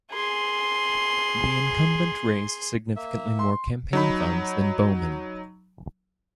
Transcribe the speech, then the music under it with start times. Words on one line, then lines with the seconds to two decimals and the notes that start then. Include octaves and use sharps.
The incumbent raised significantly more campaign funds than Bowman.
0.12 G#4 C6
2.96 A#3 E5
3.39 C6
3.93 F#3 D#4 B5